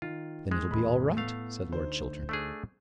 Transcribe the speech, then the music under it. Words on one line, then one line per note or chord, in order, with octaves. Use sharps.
"Then it'll be all right," said Lord Chiltern.
D#3 F4
G#3
E1 A2 B5
A3 B3 F5
D2 D#4 C5
A3 D4 G#4